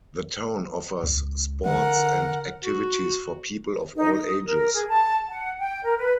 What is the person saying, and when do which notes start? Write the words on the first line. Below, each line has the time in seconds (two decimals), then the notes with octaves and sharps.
The town offers sports and activities for people of all ages.
1.03 C#2
1.66 D3 A#4 F#5
2.63 F#4
3.96 D#4
4.14 D#6
4.44 A#4
4.74 G#4
4.88 A5
5.29 F#5
5.58 G5
5.85 A#4
5.98 B4